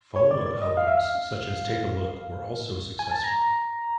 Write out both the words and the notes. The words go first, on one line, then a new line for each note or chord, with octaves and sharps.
Follow-up albums such as "Take a Look" were also successful.
C#5
D5
D5
D#5
F5
E5
F5
G#5
A5
A#5